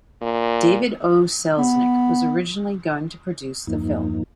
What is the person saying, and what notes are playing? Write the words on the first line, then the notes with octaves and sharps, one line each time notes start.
David O. Selznick was originally going to produce the film.
A#2
B3
E2 G2 F3 A#3 D#4